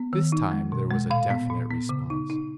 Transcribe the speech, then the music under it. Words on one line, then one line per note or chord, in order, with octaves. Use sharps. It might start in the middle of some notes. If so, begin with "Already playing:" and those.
This time there was a definite response.
Already playing: B3
D#3
D#4
G#3
B2
G#3
A#2 F5
B3
A#2
B3
C#3
D#4
D#4